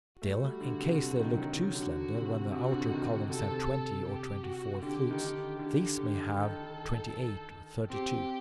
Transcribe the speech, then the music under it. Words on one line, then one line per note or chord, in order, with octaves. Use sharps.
Still, in case they look too slender, when the outer columns have twenty or twenty-four flutes, these may have twenty-eight or thirty-two.
A3 F#4
G3
D3
C3
D3
D#3
F#3
D#3
D#3
D3 F#4
C3
C3 F#4
D3
D#3
D3
C3 A4
G4
F#4
D3 G4
D#3
D3
D3 G4
D3
D#3 A4
C4 G4